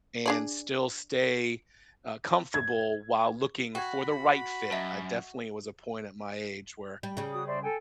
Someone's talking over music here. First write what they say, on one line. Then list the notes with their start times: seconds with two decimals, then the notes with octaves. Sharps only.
and still stay, uh, comfortable while looking for the right fit. I definitely was a point at my age where
0.26 D4 G#4 D5
2.54 G#6
3.75 F#4 G5 B5 G#6
4.71 F#2 D#5 E5 A5
7.03 G3
7.17 C#3 G3
7.32 F#4 D#6
7.46 C5 D5 E5
7.62 A4 G5 G#5